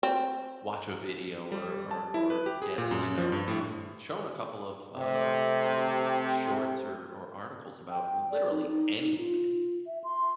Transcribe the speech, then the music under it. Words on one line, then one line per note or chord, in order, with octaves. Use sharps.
watch a video or or or get, you know, um, shown a couple of, uh uh, shorts or or articles about literally anything
C4
G3
A5
E4
B4
G4
G#4
A#2
F#2
F3
G2
A2
C3 A3
G5
D5
D#4
D#4
D#4
F4
E5
C6